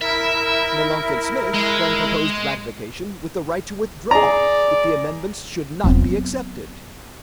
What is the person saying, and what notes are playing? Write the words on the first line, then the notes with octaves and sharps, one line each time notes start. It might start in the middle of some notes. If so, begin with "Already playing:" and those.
Melancthon Smith then proposed ratification with the right to withdraw if the amendments should not be accepted.
E4 A#4 E5
G#3
G#4 D5 A#5
E1 F#3 B3 C4 F4
C#4